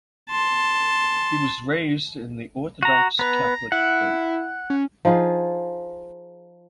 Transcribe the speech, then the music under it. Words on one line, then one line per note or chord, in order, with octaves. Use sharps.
He was raised in the Orthodox Catholic faith.
A5 C6
F#4 A#5
B3 B4 A#5
E4 F#5
C#4
F3 D#4 F4 G#4